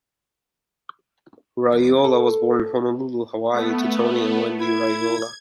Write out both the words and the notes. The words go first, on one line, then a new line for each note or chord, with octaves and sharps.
Raiola was born in Honolulu, Hawaii, to Tony and Wendy Raiola.
E2
A4
A3 B3
E4 G#6